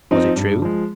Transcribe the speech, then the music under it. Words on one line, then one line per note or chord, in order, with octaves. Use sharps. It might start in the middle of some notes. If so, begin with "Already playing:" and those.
"Was it true?"
F3 C4 D#4
G2
F3 G#3